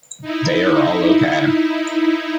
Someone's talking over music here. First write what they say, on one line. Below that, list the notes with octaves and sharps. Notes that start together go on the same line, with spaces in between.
They are all OK.
D#4 E4